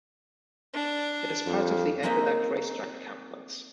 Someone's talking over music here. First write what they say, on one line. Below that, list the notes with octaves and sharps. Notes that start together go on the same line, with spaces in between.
It is part of the Aqueduct Racetrack complex.
D4
F2
G#3 A#3 C4 D#4 D#5 E5